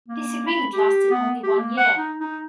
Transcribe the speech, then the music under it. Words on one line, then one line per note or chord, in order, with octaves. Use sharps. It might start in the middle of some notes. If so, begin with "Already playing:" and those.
This agreement lasted only one year.
A#3
B5
G4
B3
G4
A#3
F#5
D#4
D#4